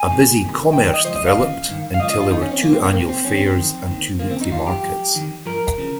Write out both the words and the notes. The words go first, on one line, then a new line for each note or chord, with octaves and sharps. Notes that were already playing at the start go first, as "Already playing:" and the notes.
A busy commerce developed until there were two annual fairs and two weekly markets.
Already playing: G#5
C2 C3 D#3
C2 C3 D#3
G2 D#3 G5
D#5
C#2 C#3 F3 C5
D#5
F5
D#2 C#3 F3
G2 D#3
F5
C#2 C#3 F3 D#5
D#5
F4
F2 D#3 D#4
C#4
C4
C#2 C3 F3 A#3
C4
A#3
C2 A#2 F3 C4
C4
C2 C3 D#3 C#4
C4
C4
F2 D#3
D#2 D#3
D#2 C#3 F3 A#3
C4
D#4
F2 D#3 F4
G4
G2 F3
F2 D#3
G2 F3 A#4
C#3 F3